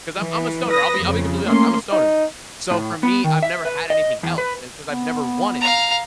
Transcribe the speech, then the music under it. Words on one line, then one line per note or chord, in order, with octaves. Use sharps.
And it 'cause I'm I'm a stoner, I'll be I'll be completely honest, I'm a stoner. So for me, I've never had anything else an 'cause I've never wanted to.
E3
B4 D#6 A#6
F2 C#3
A3 A#3 C#4 C6
D#4
A2
B3
D#3
E5
B4
D#5
E2
B4
B3
F5 A#5